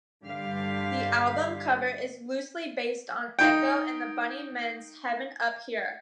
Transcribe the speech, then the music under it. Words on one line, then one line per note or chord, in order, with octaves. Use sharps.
The album cover is loosely based on Echo and the Bunnymen's "Heaven Up Here".
G2 D3 G4 F5
D#4 G5